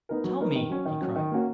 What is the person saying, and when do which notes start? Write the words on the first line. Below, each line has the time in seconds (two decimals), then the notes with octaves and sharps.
"Tell me!" he cried.
0.09 B3 D#4 A#4
0.24 F#3
0.40 B3 D#4 A#4
0.55 D#3
0.70 F#3 C#4
0.86 D#3
1.01 F#3 C#4
1.16 D#3
1.32 A#3 C#4 F#4